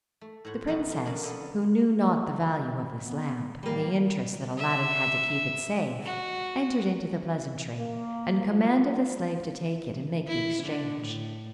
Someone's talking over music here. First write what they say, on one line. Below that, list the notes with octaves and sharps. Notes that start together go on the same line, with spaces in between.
The princess, who knew not the value of this lamp, and the interest that Aladdin had to keep it safe, entered into the pleasantry, and commanded a slave to take it and make the exchange.
A3
A2 C5 C#5 F#5
F2 B2 F#3 B3 F#5 A5
C#4
F#3 A#3 C#4 D4
D3 B3 A4
B3
A2 E3 G3 A#3
E5
F#4
A#3
F3
E4
D3
A2